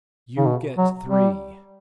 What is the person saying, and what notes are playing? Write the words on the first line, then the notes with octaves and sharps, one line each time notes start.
"You get three."
C#3
B2
F#3
G3